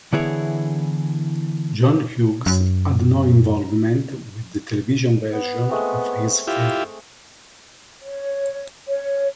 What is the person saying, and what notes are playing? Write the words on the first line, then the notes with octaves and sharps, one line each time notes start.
John Hughes had no involvement with the television version of his film.
D3 E3 B3 E4 G#4 C#5
F#2
B3
G#3 A3 C4
E4 F4 G4
C#5
C#5